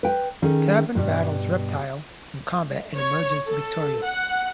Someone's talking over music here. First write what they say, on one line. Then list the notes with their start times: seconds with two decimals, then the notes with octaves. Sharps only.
Taven battles Reptile in combat and emerges victorious.
0.03 B4 G5
0.42 D#3 C#4 G#4 A4
0.95 G2 B2 G3
2.95 C#5
3.48 A4
4.04 F#5